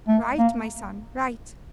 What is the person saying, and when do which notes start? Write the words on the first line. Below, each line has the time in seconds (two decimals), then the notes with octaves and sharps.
'Right, my son, right.
0.08 A3
0.38 A#3